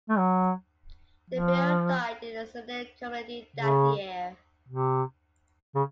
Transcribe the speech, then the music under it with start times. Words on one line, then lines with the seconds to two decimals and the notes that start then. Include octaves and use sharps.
The bill died in a Senate committee that year.
0.09 A3
0.18 F#3
1.30 F3
3.56 C#3
4.69 C3
5.75 C#3